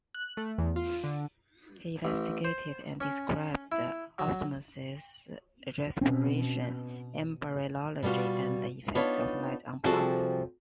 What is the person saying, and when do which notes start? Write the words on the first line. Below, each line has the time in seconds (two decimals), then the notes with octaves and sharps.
He investigated and described osmosis, respiration, embryology, and the effect of light on plants.
0.15 F#6
0.37 A3
0.58 E2
0.76 F4
1.04 D3
2.05 A1
2.45 C5
3.01 C#4
3.72 E4
4.19 F#3
6.01 B2 C4 C#4
8.03 B2 G3 B3 F4 F#4
8.95 B3 D4 D#4 F4 B4 C#5
9.85 C3 F3 G3 F#4 G#4 A4